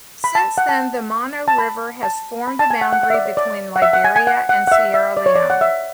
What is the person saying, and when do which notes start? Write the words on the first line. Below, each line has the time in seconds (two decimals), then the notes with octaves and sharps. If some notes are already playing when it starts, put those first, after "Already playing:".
Since then, the Mano River has formed the boundary between Liberia and Sierra Leone.
0.24 B5
0.35 A5
0.58 F#5
0.69 A5
1.48 A5
1.58 B5
2.03 A5
2.48 B5
2.59 A5
2.71 G#5
2.81 F#5
2.93 F#5
3.03 F#5
3.10 E5
3.14 D5
3.26 C#5
3.37 D5
3.76 F#5
3.82 E5
3.93 F#5
4.04 G#5
4.16 G#5
4.27 F#5
4.49 F#5
4.67 F#5
4.72 E5
4.94 E5
5.17 D5
5.26 C#5
5.36 D5
5.50 F#5
5.61 E5